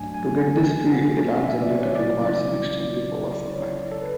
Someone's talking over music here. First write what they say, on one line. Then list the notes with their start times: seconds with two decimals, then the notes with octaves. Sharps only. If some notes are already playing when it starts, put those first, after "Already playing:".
To get this field, a large generator requires an extremely powerful magnet.
Already playing: G#2 F#3 A3 D4 G#5
0.14 G#5
0.92 F#5
1.44 E5
1.61 D5
1.78 C#5
1.95 C#3 F#3 C#4 E4 D5
2.21 D5
3.51 C#5
3.91 A4
4.02 B4